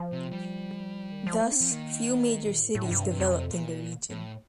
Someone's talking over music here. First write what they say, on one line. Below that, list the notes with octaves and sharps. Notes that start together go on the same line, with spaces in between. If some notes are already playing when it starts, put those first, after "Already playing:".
Thus, few major cities developed in the region.
Already playing: F3
C3
G3
D#3
F3
A3
D4
F3 C4
D#3 A#3
A3
A#2
A2
A2
D3
G2 C3
C3
F2
C3
A#2
A2